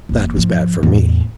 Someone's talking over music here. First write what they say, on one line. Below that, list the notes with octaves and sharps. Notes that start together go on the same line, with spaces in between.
That was bad for me.
F#1 E2
G#2 F3
E2 A2